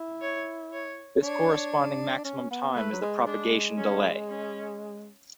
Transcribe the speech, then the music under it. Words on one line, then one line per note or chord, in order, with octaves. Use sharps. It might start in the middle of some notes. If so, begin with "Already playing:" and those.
This corresponding maximum time is the propagation delay.
Already playing: E4
C#5
C#5
D4 C#5
D4
C#4
B3
A3 B4
F#3
G#3
G#3 D4
C#4
C#4